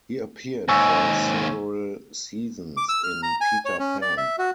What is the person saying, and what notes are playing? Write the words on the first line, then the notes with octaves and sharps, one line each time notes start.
He appeared for several seasons in Peter Pan.
D#2 G#2 G#5 C#6 E6
D6
E6
F6
A#5
G#5
C#5
C#4
D5
E5
F#4